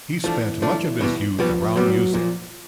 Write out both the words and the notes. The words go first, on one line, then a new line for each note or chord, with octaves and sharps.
He spent much of his youth around music.
E3 F3 A3 D4
F3 A3 D4
B2 G3 B3
B2 F3 G3 B3
A#2 F#3 G3 B3
A#2 F3